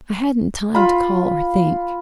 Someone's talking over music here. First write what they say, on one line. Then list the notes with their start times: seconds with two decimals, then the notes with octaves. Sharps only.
I hadn't time to call or think.
0.75 F4 B5